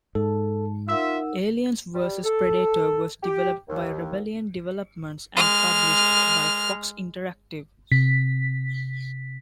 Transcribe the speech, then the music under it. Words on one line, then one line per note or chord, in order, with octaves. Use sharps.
"Aliens versus Predator" was developed by Rebellion Developments and published by Fox Interactive.
G#2 A4 A5
D#4 F4 A#4 E5 F#5 E6
G3
A4
G4
D#2
G#3 F6
C3 B6